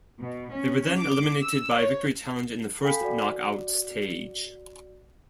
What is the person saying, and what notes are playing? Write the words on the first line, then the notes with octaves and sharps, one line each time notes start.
They were then eliminated by Victory Challenge in the first knock-out stage.
B2
C#4
D6
E6
C#5
A4 F5 G5 G#5 B5 B6
F#4 D5